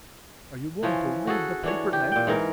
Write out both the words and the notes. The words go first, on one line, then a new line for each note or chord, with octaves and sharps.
"Are you going to read the paper next?"
E3 F3 C#4
F#4 G#4 A4
E3 D4 C#5
G4
A#2 G5
G#2 E3 A#4